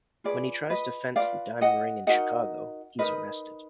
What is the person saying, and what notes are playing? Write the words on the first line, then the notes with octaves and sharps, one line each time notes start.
When he tries to fence the diamond ring in Chicago, he's arrested.
F4 G#4 B4 D5
B4 D#5
F4 G#4 B4 D5 F5
D#5 F#5
D#4 F#4 A#4 D#5 F#5
D#4 F#4 A#4 B4 D#5